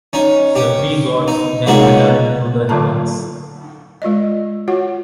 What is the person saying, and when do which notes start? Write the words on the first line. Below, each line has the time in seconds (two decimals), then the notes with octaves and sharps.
The three gods then returned to the heavens.
0.13 C#4 D#4
0.55 C#4 G4
1.28 D#4
1.66 A#2 G#3 C#4 D#4 F#4
2.69 D3 F#3 F4 A4 A5 A#5
4.02 G#3 F4 D5 D#5
4.68 F4 F#4 C#5 F#5